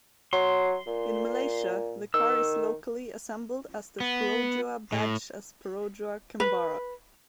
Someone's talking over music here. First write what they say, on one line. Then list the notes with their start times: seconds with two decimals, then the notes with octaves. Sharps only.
In Malaysia, the car is locally assembled as the Perodua badge as Perodua Kembara.
0.33 F#3 C6
0.87 A#2
2.14 D#3 E6
4.00 B3
4.93 A2
6.40 B4